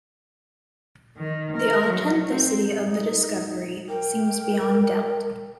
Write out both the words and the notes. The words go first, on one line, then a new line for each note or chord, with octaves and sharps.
The authenticity of the discovery seems beyond doubt.
D#3
A#4
F#3
C4
D#4
A#4 G5